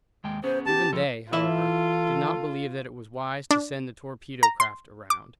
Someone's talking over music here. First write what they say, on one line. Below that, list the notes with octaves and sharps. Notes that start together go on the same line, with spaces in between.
Even they, however, did not believe that it was wise to send the torpedo craft around.
D#2 G#3 G5
B3 C#4 G#4 C5
G4 A5
F3 F4 A4
E3 E4 F4 A4 E5
D4
A#5
C6
D6